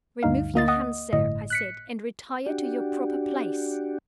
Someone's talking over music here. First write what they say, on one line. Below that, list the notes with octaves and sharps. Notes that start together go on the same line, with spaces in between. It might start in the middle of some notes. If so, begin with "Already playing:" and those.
"Remove your hands, sir," I said, "and retire to your proper place."
D2 G2 D#4 F5
D2 A#3 D#5 A6
D#5 F#5 D#6
G1 A2 D#5
F#6 B6 C#7
D4 F#4 G4